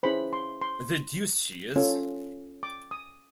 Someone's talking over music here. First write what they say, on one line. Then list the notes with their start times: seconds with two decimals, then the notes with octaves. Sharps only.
The deuce she is!
0.03 C#4 E4 G#4 C5 B5
0.33 C6
0.62 C6
1.76 C#4 F4 A4 C#5
2.63 D6
2.91 D#6